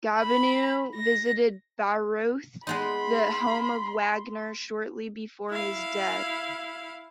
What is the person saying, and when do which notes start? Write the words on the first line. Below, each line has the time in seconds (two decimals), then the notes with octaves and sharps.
Gobineau visited Bayreuth, the home of Wagner, shortly before his death.
0.18 B5
0.94 A#6
2.67 G#3 B3 D#4 B5 C6
5.50 E4 F5